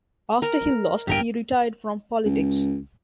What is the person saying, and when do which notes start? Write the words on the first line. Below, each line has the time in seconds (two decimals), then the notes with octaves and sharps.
After he lost, he retired from politics.
0.42 A#4
1.07 G2 G4 A#4 G5 G#5
2.25 C#2